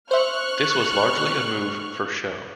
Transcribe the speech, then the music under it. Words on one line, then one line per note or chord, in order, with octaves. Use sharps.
This was largely a move for show.
C5 E5 C#6 F6 F#6